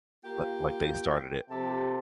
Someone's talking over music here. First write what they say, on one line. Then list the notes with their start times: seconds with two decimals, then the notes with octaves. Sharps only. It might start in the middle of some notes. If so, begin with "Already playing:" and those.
But, like, they started it.
0.24 A#3 F4 G4 G5
1.50 C3 F3 G4 A4 A5